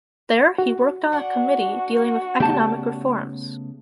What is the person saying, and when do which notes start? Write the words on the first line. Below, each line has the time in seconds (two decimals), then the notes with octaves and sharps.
There he worked on a committee dealing with economic reforms.
0.58 F#4
1.12 D4 F#4 F#5
2.40 C#3 A3 B3 G4 A5